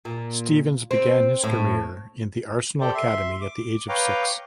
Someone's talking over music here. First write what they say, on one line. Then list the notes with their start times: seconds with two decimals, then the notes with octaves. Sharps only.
Stevens began his career in the Arsenal Academy at the age of six.
0.05 A#2
0.91 C4
1.43 A2
2.81 G4 A4 C5 D5 G5
2.94 E5 C6
3.41 D6
3.89 B4 C#5 F5 G5 A#5 D6